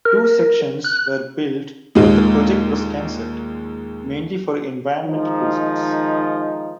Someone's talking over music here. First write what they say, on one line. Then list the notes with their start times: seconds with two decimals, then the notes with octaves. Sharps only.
Two sections were built but the project was cancelled, mainly for environmental reasons.
0.05 A#4
0.84 F#6
1.95 D#2 A#2 G#3 D#4
5.04 D#3 F3 G#3 D#4